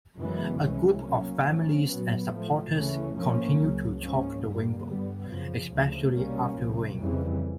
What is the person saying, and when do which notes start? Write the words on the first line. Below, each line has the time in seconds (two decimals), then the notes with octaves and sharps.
A group of families and supporters continue to chalk the rainbow, especially after rain.
0.17 F#2 C#3 E3 G#3 B3
0.60 C2 C3 E3 G#3 C#4
1.02 B2 F#3 A#3 C#4
1.44 A2 F3 A#3 C#4
1.87 A#2 F#3 B3
2.30 A2 F3 A3
2.72 D2 C#3 E3 A3 C#4
3.15 A2 F3 A#3 C#4
3.57 C#2 C#3 F#3
4.00 G#2 F3 A#3 C#4
4.42 G2 D3 G3 A#3
4.85 G2 D3 G3 B3
5.27 F#2 C#3 F3
5.70 D2 C#3 F3 A3
6.12 C2 B2 G3 A#3 C#4
6.55 C2 A#2 F3
6.98 F2 C#3 E3 G3